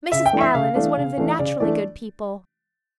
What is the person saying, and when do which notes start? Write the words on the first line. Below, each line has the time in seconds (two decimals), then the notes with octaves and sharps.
Mrs. Allan is one of the naturally good people.
0.12 C#3 E5
0.26 G5
0.33 E3 A3 D4
0.41 E5
0.54 C#3 F5
0.75 E3 A3 D4
0.97 C#3
1.18 E3 A3 D4
1.39 C#3 D5
1.60 E3 A3 D4 D5